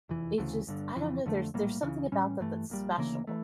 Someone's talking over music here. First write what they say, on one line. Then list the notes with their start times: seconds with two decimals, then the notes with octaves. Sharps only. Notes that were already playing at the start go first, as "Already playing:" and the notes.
It just I don't know. There's there's something about that that's special.
0.09 F1 E2 E3
0.38 D2 C#3 E3 A3
0.67 G1 G2 D3
0.96 F2 C#3 E3
1.26 F2 D3 F3 A3
1.54 A#1 A2 G3 A#3
1.82 C#2 C#3 E3
2.12 A1 A2 G3 C#4
2.40 G2 E3 A3
2.70 A#1 A#2 G3
2.98 D2 C#3 E3 A#3
3.27 E3 A3